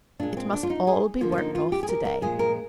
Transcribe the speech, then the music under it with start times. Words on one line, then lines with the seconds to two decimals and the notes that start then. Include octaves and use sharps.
It must all be worked off to-day.
0.19 A#2 G#3 D4
0.37 C4
0.53 D4
0.63 F4
0.70 D#4
0.87 G#4
1.21 D3 F3 A#3 F4
1.32 F4
1.38 D#4
1.55 F4
1.72 G4
1.83 G#4
1.89 A#4
2.05 A#4
2.22 A#2 F3 G#3 G#4
2.39 A#4